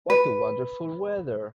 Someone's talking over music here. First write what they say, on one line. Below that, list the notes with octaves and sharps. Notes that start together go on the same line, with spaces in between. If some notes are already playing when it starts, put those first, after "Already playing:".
What a wonderful weather!
B4